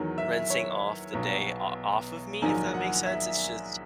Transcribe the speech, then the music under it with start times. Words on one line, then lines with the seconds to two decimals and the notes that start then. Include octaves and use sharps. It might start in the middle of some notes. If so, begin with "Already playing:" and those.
rinsing off the day o off of me, if that makes sense. It's just
Already playing: E2 D#3 F#3
0.18 E5
0.50 C#5
1.13 B1 B2 F#3
2.42 A#1 G#2 D#3 F#3 G#5
2.74 F#5
3.06 E5